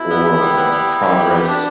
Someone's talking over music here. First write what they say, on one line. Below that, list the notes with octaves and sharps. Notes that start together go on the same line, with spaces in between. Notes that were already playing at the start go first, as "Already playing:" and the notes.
or, uh, progress,
Already playing: B2 E4
B3
B3
G3
B3
G3
G3
G3
B3 G4
E4
B3 G4
B2 D4